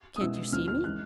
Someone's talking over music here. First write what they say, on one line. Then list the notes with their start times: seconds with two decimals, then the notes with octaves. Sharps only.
"Can't you see me?"
0.16 D#6
0.21 B2 G#3 B3 E4 E6
0.52 D#2 D3 F3 F6
0.68 F6
0.84 E3 G#3 F#6